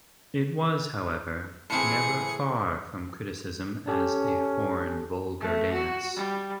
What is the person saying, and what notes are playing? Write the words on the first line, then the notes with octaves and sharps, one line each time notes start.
It was, however, never far from criticism as a foreign, vulgar dance.
A2 E3 C4 G#4 C#7
C#4 G4 A4 A5
A3
F#4
G3